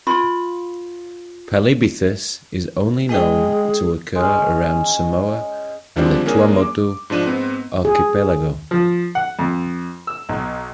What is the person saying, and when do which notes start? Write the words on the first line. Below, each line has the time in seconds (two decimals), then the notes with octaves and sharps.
"Palibythus" is only known to occur around Samoa and the Tuamotu Archipelago.
0.07 F4 B5
3.09 G#3 G#4 D#5 G5
4.15 G#3 C#4
5.96 D3 F3 G3 G#3 C4 D4
6.26 A#3 C#4 D4 G#4 A#4 G#5
6.61 D6
7.10 G#2 F3 D4 D#7
7.26 G#2 B3 C4
7.85 G#4
8.71 F3
9.15 F#5
9.39 F2
10.07 E6
10.29 B1